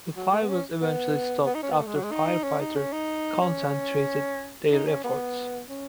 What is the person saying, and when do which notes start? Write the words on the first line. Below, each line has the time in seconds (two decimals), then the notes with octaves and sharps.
The fire was eventually stopped after firefighters concentrated their efforts.
0.16 F#3
0.32 A3
0.42 B3
0.49 C#4
0.82 B3
1.46 B3
1.54 D#4
1.62 C#4
1.71 B3
1.79 A3
1.87 G#3
1.95 F#3
2.03 G#3
2.11 D#4
2.44 C#4
2.60 D#4
2.76 C#4
2.92 D#4
3.42 C#4
4.71 D#4
4.87 C#4
5.04 B3
5.69 C#4